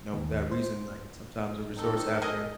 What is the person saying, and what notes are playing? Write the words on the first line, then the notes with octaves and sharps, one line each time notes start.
know, for that reason, like, sometimes the resorts have their
D#2
C5
D#3 C4 D#4 A4
G#4 A#4 D#5